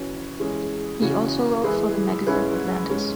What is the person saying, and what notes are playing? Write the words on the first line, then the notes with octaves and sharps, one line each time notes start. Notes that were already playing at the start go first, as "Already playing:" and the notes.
He also wrote for the magazine Atlantis.
Already playing: E3 C#4 F#4 B4
E3 G#3 C#4 G#4
C#3 E3 C#4 F#4
E3 G#3 E4 G#4 B4
G#2 G#3 C#4 E4 B4
G#2 G#3 C#4